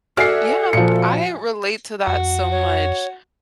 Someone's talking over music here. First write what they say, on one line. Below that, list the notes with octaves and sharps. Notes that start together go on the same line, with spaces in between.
Yeah, I relate to that so much.
F#4 G#4 A4 D5 E5 F6 C7
A#2 F3 C#7
F2 F#4
C#5